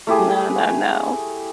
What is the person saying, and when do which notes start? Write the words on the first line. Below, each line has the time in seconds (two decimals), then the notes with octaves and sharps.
No, no, no.
0.07 A3 E4 G4 G#4